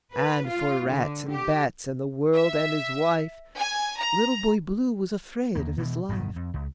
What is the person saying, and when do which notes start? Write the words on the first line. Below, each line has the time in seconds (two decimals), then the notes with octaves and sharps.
And for rats and bats and the world and his wife, Little Boy Blue was afraid of his life.
0.14 B4
0.47 F4
0.89 D3
1.31 G4
2.35 E5
3.55 G#5
3.98 A#5
5.55 D#2 A#3
5.78 B2 E3
6.09 D1 G2 B2 D#3
6.36 F2
6.54 C#2